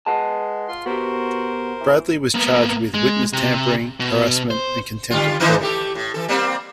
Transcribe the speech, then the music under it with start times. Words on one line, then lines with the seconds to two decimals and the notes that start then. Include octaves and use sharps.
Bradley was charged with witness tampering, harassment, and contempt of court.
0.06 G#3 B4 F#5 A5
0.68 F4 C6
0.86 B3 F#4 G4 A#4 C5
1.81 E3
2.35 A#3 B3
2.94 G#3
3.33 C3
4.00 B2
4.51 C5
5.10 D3 G3 F4
5.40 D#3 E3 D#4
5.61 A3 G4 A4
5.95 A2
6.14 E3 A4
6.28 G3 A#3 C4